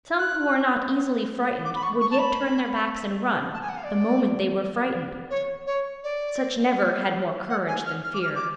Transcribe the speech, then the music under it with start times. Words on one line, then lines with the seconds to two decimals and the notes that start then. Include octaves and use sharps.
Some who are not easily frightened would yet turn their backs and run, the moment they were frightened: such never had more courage than fear.
0.18 F#6
1.64 D6
1.74 B5
1.82 C#6
2.00 C#6
2.10 A5
2.18 B5
3.53 A5
3.61 G#5
3.69 F#5
3.76 F5
3.84 D5
5.30 C#5
5.66 C#5
6.03 D5
7.49 F#5
7.67 G#5
7.85 F6
8.03 F6
8.13 D6
8.22 F6
8.35 D6